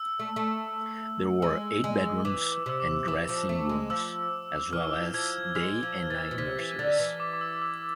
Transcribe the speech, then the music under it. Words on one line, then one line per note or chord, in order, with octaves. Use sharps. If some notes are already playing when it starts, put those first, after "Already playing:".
There were eight bedrooms and dressing rooms as well as day and night nurseries.
Already playing: E6
A3
A3
G#3 E6
G#3
E3 D6
E6
C3 E6
D6
E3 D6
F3
A3
G#3
F3 E6
E3 F6
F3 G#6
G#3 F6
F3 G#6
E3 A6
B2
C3 B6
E3
D3 A6
E3
D6
D6
E6
E6